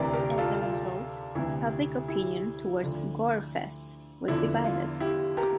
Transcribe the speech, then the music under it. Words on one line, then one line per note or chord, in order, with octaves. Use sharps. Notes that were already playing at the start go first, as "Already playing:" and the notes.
As a result, public opinion towards Gorefest was divided.
Already playing: D2 C3 E3 A#4 D5
G4 A#4
F4 A4
F4
D2 C3 E3 E4
E4 G4
D2 D3 F3
E2 D3 F3 E4
F4
E4 G4
G4 A#4